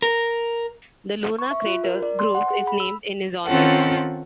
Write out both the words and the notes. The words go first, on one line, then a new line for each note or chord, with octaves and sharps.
The lunar crater "Grove" is named in his honor.
A#4
C#6
E5
F4
A#4
D5
C6
F#5
G#4
B5
E6
D#3 C4 C#4 F4 A4 F#5